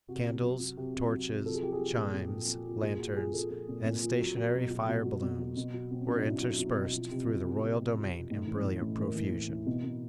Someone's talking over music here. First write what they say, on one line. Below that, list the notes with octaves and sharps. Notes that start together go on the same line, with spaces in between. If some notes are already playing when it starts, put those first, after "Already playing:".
Candles, torches, chimes, lanterns and stationary fire balloons were interspersed through the royal domain in brilliant profusion.
C3 F#4
C3
F#3
F#3
C3
C3
F#3
C3
F3 A4
G#4
F3 G4
G#4
F3
A#2
A#2
F3
F3
F3
A#2 G#4
F3 F#4
F3 G#4
F3 A4
F3 A4
A#2
A#2
F3
F#3
F#3
B2
F#3
B2 F#4
F#3
B2
F#3
B2
F#3
B2 C4
C#4
F#3 D4
D#4
F#3 E4
F#3
F#3
B2
F3
C3
F3
C3
C3
C3
F3
C3
A2 D#4
E3
C#4
A2
A2
E3 A#3
E3
A2
E3
B2
B2